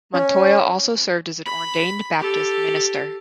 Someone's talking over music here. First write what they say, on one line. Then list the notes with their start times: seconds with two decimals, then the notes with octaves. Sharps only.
Montoya also served as an ordained Baptist minister.
0.14 C#4
1.46 B5
2.19 G4 A4